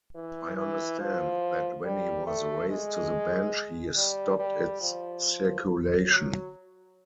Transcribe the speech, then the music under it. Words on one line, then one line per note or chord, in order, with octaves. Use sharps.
I understand that when he was raised to the Bench he stopped its circulation.
E3
E3
F3
G3
A3
G#3
G3
G3
F3
F#3